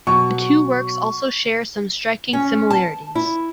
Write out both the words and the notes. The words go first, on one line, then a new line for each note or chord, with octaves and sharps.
The two works also share some striking similarities.
B2 F#3 C#6
C#4
A5
E4